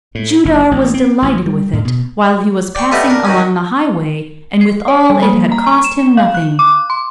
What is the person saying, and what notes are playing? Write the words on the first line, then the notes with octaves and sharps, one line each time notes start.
Judar was delighted with it while he was passing along the highway and withal it had cost him nothing.
A2
F#1
A1
C4
A1
G3
A2
B2
D5 G5 C#6
G3 A3 B3 D#5 E5 F#5
D4 A#4
D#3 F#3 C#4
C7
C#5
G3
A#3
A#5
C#6
E7
F5
F#6
D6
C6